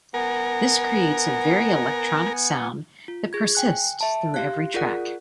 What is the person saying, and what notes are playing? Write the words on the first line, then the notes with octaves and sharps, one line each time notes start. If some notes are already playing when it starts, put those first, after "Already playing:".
This creates a very electronic sound that persists through every track.
B3 A#4 F#5 G#5
F4
G#4 G#6
G5 G#5 F#6
E5 A5
G4 F5 F#6
F4 G#4 A#4 D5 F#5 F#6